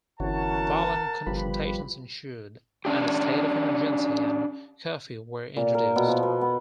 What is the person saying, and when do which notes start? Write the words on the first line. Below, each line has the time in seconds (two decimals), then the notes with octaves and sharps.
Violent confrontations ensued, and a state of emergency and curfew were introduced.
0.20 G1 E3 C#4 F#4 A#4 F#5 A5
1.27 G1 F3 G3 B4
2.85 C#4 D4 G4
5.56 A#2
5.74 A#4
5.96 B2
6.08 F3
6.23 B2
6.41 B3